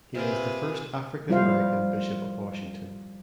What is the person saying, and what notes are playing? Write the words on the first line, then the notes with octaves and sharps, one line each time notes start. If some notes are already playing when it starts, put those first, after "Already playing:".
He was the first African-American Bishop of Washington.
C3 F4 G#4 B4 G5
F3 G3 E4 F4 C5 F5